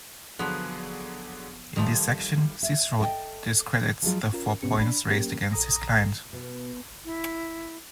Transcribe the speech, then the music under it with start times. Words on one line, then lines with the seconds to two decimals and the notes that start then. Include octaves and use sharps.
In this section, Cicero discredits the four points raised against his client.
0.39 D3 F3 F#3 B3 G#4
1.76 D#3 F3 G3 A3
2.63 E5
2.99 A4 D#5 E5 G5
4.02 F3 F#3 G#3 F4
4.33 C#4 F4 A#4
4.62 G#2 C3 B3 C#4 G4 C#7
4.79 D4 B5
5.08 F#3 A#3 C#4 G4 A#4
5.52 A#1 A4 A#5 D#6 A#6
6.33 B2
7.05 E4